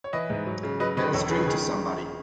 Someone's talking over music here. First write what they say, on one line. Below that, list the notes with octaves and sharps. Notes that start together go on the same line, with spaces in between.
Let us drink to somebody.
C#5
E3 B4 D#5
G#2
F#3
C#3
F#3 B4 D#5
D#3 B4 D#5
E1 A4 C#5
C#3 G#4 B4
D#3 G#4